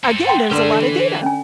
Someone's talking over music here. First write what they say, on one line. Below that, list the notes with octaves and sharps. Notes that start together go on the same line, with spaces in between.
again, there's a lotta data.
C4 A4
F#5 G5 C6
D3 G4 B4 A5 C6
E3
C#4 G#5